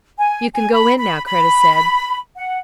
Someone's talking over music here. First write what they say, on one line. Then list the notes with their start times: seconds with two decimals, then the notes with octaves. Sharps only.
"You can go in now," Kreta said.
0.17 G#5
0.54 G#5
0.72 B5
0.99 B5
1.26 B5
2.36 F#5